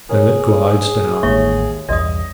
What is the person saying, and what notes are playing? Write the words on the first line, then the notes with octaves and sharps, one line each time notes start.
Then it glides down.
G#4 A#4 C#5
A1 D#2 G#3 C#5 E5 C#6
B1 E2 G2 D5 D#5 D#6